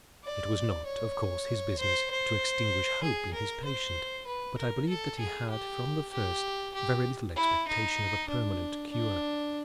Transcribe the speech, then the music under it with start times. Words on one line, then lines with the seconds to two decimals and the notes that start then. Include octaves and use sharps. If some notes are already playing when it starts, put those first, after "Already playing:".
It was not, of course, his business to extinguish hope in his patient, but I believe that he had, from the first, very little expectation of a permanent cure.
0.24 D5
0.86 C#5
1.79 C5
2.10 C5
3.03 G#4
3.33 A#4
3.65 C5
4.27 B4
4.58 A#4
4.89 A4
5.19 G#4
5.50 G4
6.13 G4
6.74 G4
7.36 E4
7.68 D#4
8.29 D4
8.91 D4